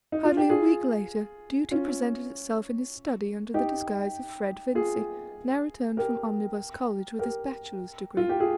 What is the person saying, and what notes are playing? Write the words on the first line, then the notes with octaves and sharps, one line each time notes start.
Hardly a week later, Duty presented itself in his study under the disguise of Fred Vincy, now returned from Omnibus College with his bachelor's degree.
D#4
F4
G4
F4 G#4
C#4 F4
D#4 G4
F4 G#4
G4 A#4
G4 A#4
F4
G4
F4 G#4